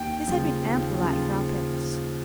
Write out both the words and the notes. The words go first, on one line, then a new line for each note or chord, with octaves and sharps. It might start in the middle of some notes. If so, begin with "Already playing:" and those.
This had been ample light for our purpose.
Already playing: D#2 G5
C#3 F3
D#2
C#3 F3